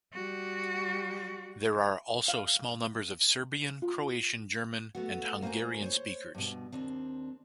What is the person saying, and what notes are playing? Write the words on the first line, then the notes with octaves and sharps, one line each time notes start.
There are also small numbers of Serbian, Croatian, German, and Hungarian speakers.
G3 F#4
F5
F4
A3 B3 F#4
A#3 F#4 C5 D#5 G#5 A#5
C5 C#5
G2 B2
D#2 C4 D4